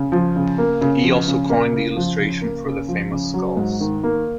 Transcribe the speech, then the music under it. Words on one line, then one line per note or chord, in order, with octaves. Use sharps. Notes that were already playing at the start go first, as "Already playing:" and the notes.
He also coined the illustration for the famous skulls.
Already playing: C#3
F3
C#3
A#3
C#3
F3
C#3
A#3
C#3
F3
C#3
A#3
C#3
F3
C#3
F#3
G#2
D#3
A#3